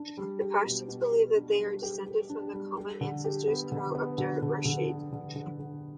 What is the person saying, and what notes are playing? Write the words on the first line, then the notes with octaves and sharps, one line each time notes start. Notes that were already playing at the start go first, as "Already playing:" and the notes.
The Pashtuns believe that they are descended from the common ancestor Qais Abdur Rashid.
Already playing: D4
G3
G4
B2
B2
G4
D4
G3
G4
G4
D4
G3
G4
D3
G4
B3
D3
B3
D3
D3
D3
D3
D3
D3
D3